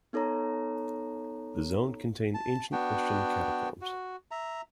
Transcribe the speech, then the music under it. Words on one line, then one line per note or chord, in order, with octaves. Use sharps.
The zone contained ancient Christian catacombs.
B3 D#4 A4 C#5 A#5
A5
B3 D4 F#4 G5
F#4
E5 A#5